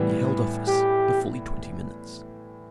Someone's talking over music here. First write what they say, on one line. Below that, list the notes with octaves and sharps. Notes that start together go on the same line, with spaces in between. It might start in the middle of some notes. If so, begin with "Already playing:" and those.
He held office for fully twenty minutes.
Already playing: A2 E3 G3 B3
G4